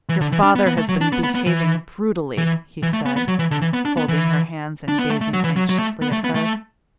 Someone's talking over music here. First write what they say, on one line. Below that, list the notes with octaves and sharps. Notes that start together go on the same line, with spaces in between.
'Your father has been behaving brutally,' he said, holding her hands and gazing anxiously at her.
E3
D3
E3
D4
B3
B3
A3
F#3
D4
B3
B3
B3
E3
E3
E3
A3
B3
B3
F#3
E3
D3
E3
B3
D4
B3
E3
D4
B3
A3
A3
F#3
E3
F#3
F#3
A3
B3
A3
B3
A3